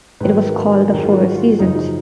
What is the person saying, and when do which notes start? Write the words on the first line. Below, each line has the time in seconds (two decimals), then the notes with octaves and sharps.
It was called the Four Seasons.
0.20 G#2 D#3 F#3 B4
0.43 A#4
0.67 G#4
0.90 G#2 D#3 F#3 A#4
1.03 F4
1.13 F#4
1.36 F4
1.59 F#2 C#3 F3 D#4
1.76 D#4